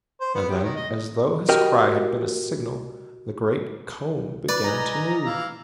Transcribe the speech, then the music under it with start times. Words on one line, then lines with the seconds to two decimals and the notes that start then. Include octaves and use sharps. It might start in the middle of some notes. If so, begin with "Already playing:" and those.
And then, as though his cry had been a signal, the great cone began to move.
0.21 C5
0.34 B3
0.49 G4
0.63 D#3
0.76 D#5
1.49 F#4 G4 A#4 D#5 G5
4.49 B4 D5
4.64 D#5 G#5 A#5
5.25 E3 F5